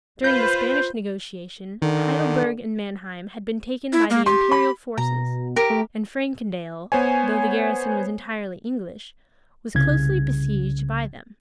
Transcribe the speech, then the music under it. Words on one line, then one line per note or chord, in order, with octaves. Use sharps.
During the Spanish negotiation, Heidelberg and Manheim had been taken by the imperial forces; and Frankendale, though the garrison was entirely English, was closely besieged by them.
F4 B4 C5 G6
D3 D#3
E4
A#3
G4 C6
B5
B2 A#5
G4 A#4
A3
B3 C5 C#5 G#5
C2 C#3 G#6